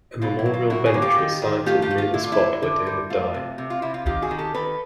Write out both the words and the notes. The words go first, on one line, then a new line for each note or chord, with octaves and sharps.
A memorial bench was sited near the spot where David died.
B2 F4
E4
F#3
F4
B2 E4 F#4
F#4 G#4
A#3
F4 G4
D#3
D#3
A3 F4 G4
F4 G4
A3
F4
D3 E4
F4
E4
D3
D3
G3
A3 F4
C3
C3
F4
C3 E4
F4
D#3 F4 G4
F#4 G#4
D#3
G4 A4
D#3 A4 B4